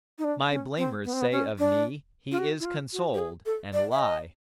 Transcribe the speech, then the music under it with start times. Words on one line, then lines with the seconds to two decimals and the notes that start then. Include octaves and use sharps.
'My blamers say of me, 'He is consoled,' And lie!
0.18 D#4
0.24 D4
0.51 C#4
0.78 C4
1.05 B3
1.13 C4
1.21 B3
1.32 C#4
1.59 D4
2.31 F4
2.38 F#4
2.60 E4
2.65 F4
2.93 F#4
3.14 G4
3.19 G#4
3.46 A4
3.73 D5
3.92 E5
3.99 D#5